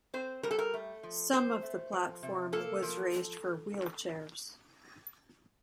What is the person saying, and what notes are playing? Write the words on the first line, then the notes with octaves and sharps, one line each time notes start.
Some of the platform was raised for wheelchairs.
C4 C5
G3 A#4
A4
A#4
A3
F3
C4 C5
A3
F3
C3
A#3 A4
F3